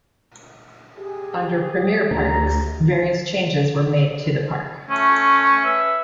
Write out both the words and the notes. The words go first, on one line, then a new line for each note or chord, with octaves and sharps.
Under Premier Parks, various changes were made to the park.
G4 G#4
D2 A#5
A3 C#4
B4 E5